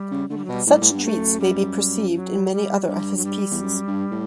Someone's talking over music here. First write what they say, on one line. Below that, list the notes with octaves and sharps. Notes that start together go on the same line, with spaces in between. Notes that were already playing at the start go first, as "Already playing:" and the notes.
Such treats may be perceived in many other of his pieces.
Already playing: G3
C#3
D3 A3
G3
F#3
B2 G3
A2 G3
A2
G2 B3
A3
F#2
G3
F#3
G3
F#3
G2 G3
F#3
G3
E2
F#2
G2
A2